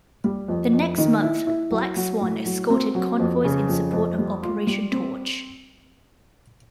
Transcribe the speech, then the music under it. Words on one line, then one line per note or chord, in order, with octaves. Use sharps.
The next month "Black Swan" escorted convoys in support of Operation Torch.
G3
F2
F2
D#3
E4
E4
F#3
F#3
A2
F#3
C4
F#3
F2
C#3
F2
F2
G3
F4
G3
C4